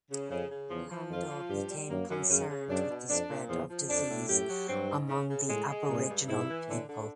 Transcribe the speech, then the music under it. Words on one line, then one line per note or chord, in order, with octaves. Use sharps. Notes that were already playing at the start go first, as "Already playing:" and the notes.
Landor became concerned with the spread of disease among the Aboriginal people.
C#3
F2 C#3
C#3
E2 F3
F3
F2 F4
F3
G2 G4
G3
F#2 A#3
F#2
F#2 C#3
C#3
F#2 D4
B2
F2 D4
A#2
E2 F3
F3
F2 D4
A2
F#2 G4
F#3
G2 C4
G#2
C#3
C#3
A2 G#3
G#3
G2 A#2
G2
G#2 E4
E3
A2 D3
D3